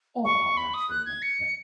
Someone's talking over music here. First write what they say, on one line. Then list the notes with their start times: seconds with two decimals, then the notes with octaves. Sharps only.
Aww, that's very nice, thank
0.25 C#6
0.57 B5
0.74 D#6
0.90 F#6
1.06 G#6
1.22 C#7